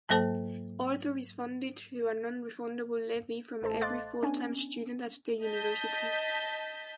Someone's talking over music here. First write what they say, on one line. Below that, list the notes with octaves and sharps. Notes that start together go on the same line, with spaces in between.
"Arthur" is funded through a non-refundable levy from every full-time student at the university.
G#2 F#3 A#3 A4 C5 A5
A1 A3 A4 C5 A5
D#5 F5 C6 D6 F#6 A6
B3 C#4 D4 G#5
D#5 A5 G6 B6